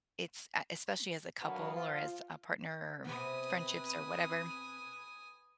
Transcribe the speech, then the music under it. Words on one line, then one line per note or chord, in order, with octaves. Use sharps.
It's uh, especially as a couple, or as a partner, or friendships, or whatever,
B2 D3 F#3 A#3 B3
F3 F4
C3 B3 B4 G#5 D#6